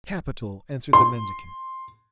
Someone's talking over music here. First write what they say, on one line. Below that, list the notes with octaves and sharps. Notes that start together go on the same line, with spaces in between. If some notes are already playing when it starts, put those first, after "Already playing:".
"Capital," answered the mendicant.
C6